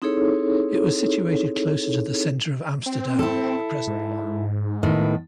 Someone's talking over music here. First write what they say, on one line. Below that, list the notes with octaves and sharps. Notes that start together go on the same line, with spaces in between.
It was situated closer to the centre of Amsterdam than the present one.
C4 D#4 E4 G#4 A4 C#5
C4
E4 A4
G#2
A2 D#3 B3